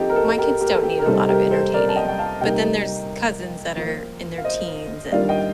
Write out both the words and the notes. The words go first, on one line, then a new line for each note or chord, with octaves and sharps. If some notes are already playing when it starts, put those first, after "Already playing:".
My kids don't need a lot of entertaining, but then there's cousins that are in their teens, and
Already playing: F3 C4 D#4 G4 A4
A#4
A4
G4 A#4
G4 A#4
A4
G4
A#4
C3 G3 C4 D#4 A4
G4 A#4
A4 C5
A#4 D5
A5
D#5 G5
G5
F5 A5
C3 G3 A#3 D#4 D#5 G5
F3 A#3 F4
F5
C5 D#5
D#3 G3 D4 F4 D5 F5
D#5 G5